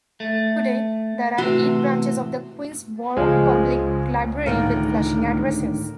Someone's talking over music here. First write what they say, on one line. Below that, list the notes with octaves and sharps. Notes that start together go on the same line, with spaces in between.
Today, there are eight branches of the Queens Borough Public Library with Flushing addresses.
A3
A2 C3 E3 F#4 C6
C#2 C#3 F3 G#3
A2 D3 D#3 A#4 F5